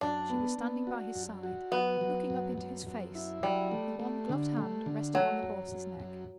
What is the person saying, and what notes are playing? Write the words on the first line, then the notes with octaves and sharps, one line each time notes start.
She was standing by his side, looking up into his face, with one gloved hand resting on the horse's neck.
F#2 D4
B3
B3
F#4
F#2
F#4
F#3 B3
F#3
F#2
F#2
F#2
E4
F#3 G3
A3
A3
D3
A3
D3
F#3 A3
F#2
F#2
F#2